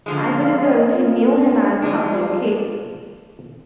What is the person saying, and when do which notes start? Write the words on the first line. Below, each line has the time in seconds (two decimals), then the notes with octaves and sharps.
As a result, he knew him as "Uncle Keith".
0.06 D3 F3 G#3
0.35 F5
0.65 D#5
0.94 F4
1.38 D4
1.82 F3 G#3 D4 D#4
2.12 F4